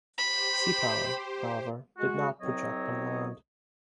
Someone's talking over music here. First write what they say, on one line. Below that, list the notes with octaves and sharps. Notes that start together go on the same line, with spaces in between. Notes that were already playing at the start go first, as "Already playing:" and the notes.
Sea power, however, did not project on land.
G4 C5 B5
G#3 F#4
C2 F#3 C4 C#5 D#5